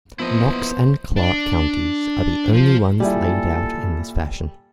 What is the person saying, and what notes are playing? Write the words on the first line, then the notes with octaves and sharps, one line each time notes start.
Knox and Clark counties are the only ones laid out in this fashion.
F3 A#3 B3 E4 A#4 C5 D#5
D4
F3
A#2 G3 E4 G#4 A4 D5